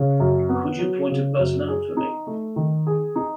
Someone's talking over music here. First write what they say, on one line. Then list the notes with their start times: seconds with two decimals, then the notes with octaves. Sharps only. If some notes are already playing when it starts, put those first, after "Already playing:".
Could you point a person out for me?
Already playing: C#3
0.20 F#2
0.49 B3
0.79 F#3
1.09 C#3
1.38 F#2
1.68 G#4
1.97 D#4
2.27 A3
2.56 D#3
2.87 G#4
3.16 D#4